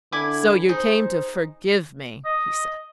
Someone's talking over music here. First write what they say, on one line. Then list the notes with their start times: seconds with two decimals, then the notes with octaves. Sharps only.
"So you came to forgive me?" he said.
0.12 D3 E4 G#5 D6
0.69 D#4 G#4 C5
2.25 D#5